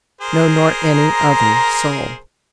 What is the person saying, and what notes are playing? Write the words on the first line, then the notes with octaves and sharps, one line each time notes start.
No, nor any other soul.
G#4 A#4 C5
A#5